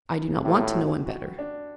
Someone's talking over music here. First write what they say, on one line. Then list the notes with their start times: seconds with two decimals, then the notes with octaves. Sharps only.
"I do not want to know him better."
0.44 A2 G4
0.65 E4
0.75 F#4
1.06 F#4
1.39 D4